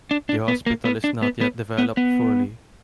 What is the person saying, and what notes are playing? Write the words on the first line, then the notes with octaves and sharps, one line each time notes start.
The hospital is not yet developed fully.
D4
D4
B3
A#3
B3
D4
B3
B3
B3
B3